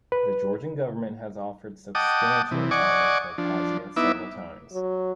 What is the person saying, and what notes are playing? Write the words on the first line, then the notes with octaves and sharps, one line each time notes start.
The Georgian government has offered substantial autonomy to Abkhazia several times.
B4
D#5 F#5 G5 A5 D6 D#6
C3 E3
D5 D#5 F#5 G#5 C#6 D6
F3 D4
B3 D#4 E4 E5 D6
F#3